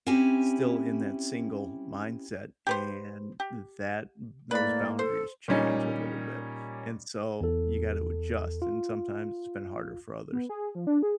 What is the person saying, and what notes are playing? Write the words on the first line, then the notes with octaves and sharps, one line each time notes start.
still in that single mindset, and that those boundaries change a little bit, and so you got to adjust, and sometimes it's been harder for others.
C4 C#4 E4 G4 G#5
G4 B4 C5
G4
A2 A#3 B4 D5 B5
A4 C5
A#2 G3 C#4 D#4
E2 A4
F4
B3
G#4
F3
D4
G#4